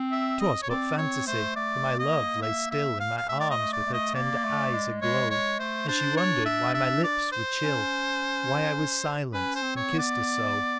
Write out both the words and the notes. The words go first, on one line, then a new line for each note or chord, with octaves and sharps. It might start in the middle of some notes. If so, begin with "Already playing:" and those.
'Twas but fantasy, for my love lay still In my arms with her tender eyes aglow, And she wondered why my lips were chill, Why I was silent and kissed her so.
Already playing: C4
E5
D#5
C#5
C4 D5
C4 C#5
A3 C5
A3 D5
A#3 D#5
E5
E5
F5
F5
A3 E5
D5
D#5
A3
D5
A3
D#5
A#3 D5
A3
G#3
G#3 C#5
G#3 C#5
A3 C5
D4 C5
C#5
E5
E5
D5
C5
C#4
C#4 B4
C5
C4
C#5
B3
D5